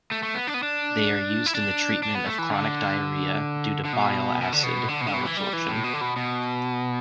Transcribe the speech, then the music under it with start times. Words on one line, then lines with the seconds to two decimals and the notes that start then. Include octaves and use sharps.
They are used in the treatment of chronic diarrhea due to bile acid malabsorption.
0.11 A3
0.23 A3
0.35 B3
0.47 D4
0.54 B3
0.63 D4
1.46 E4
1.55 D4
2.03 D4
2.15 B3
2.26 A3
2.38 E3
2.50 D3
3.85 D3
3.93 B2
4.41 B2
4.53 D3
4.63 B2
4.88 D3
5.01 B2
5.07 D3
5.13 B2
5.20 D3
5.25 E3
5.37 G3
5.53 E3
5.68 A2
5.84 B2
5.93 D3
6.01 B2
6.16 B2